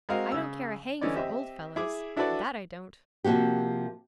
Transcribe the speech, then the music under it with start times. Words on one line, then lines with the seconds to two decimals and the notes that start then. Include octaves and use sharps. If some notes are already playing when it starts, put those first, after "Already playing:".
"I don't care a hang for old fellows, that I don't!"
0.09 G#3 C4 F#4 A#4 D#5 F5
0.32 C#3 E6
1.01 D3 E3 C#4 D#4 D5
1.15 C4 G4 D#5 E5
1.76 E4 G#4 D6
2.16 D4 E4 F#4 A4 B4 D5
3.24 C3 F3 A#3 F#4 G4